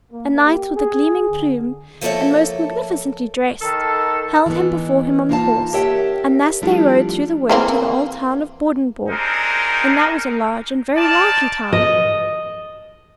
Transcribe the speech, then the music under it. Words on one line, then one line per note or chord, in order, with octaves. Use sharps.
A knight with a gleaming plume, and most magnificently dressed, held him before him on the horse, and thus they rode through the wood to the old town of Bordingborg, and that was a large and very lively town.
A#3
G4
G#4
D3
F3 A3 A#3 A4 C#5 E5
D#3 A4
E3 G#3 B3
A#3 D#4 F4 C#5 F5 A5
G4 A#4 C#5 E5 F#5 G5
F3 G3 A3 D4 E4 F4
E3 A#3 C4
C4 D4 D#4 G4 G#4 A#4
D#4 F4 D5 A5
D#5